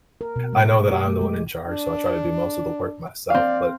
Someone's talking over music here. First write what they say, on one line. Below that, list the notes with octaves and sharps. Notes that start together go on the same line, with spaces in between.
I know that I'm the one in charge, so I try to do most of the work myself, but,
A#4
B2
G#3
A3
G4
A3
G#3
D4
C4 D5 F5